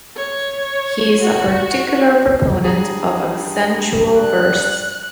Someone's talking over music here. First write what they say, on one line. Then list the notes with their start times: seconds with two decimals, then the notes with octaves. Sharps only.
He is a particular proponent of accentual verse.
0.16 C#5
1.21 F#4
2.64 G2 G#4 A#5 D#6
4.19 D5 F#6